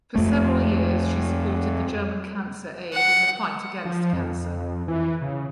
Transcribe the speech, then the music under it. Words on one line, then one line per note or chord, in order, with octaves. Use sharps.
For several years she supported the German Cancer Aid in the fight against cancer.
F2 A3
F#5
F3
F2
E3
C#3